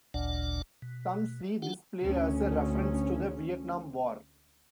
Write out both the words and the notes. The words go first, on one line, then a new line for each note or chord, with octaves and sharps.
Some see this play as a reference to the Vietnam war.
G#1 D2 A#2 D4 D5 F#5
B2
D4 F4 G4 F#5
D2 C#4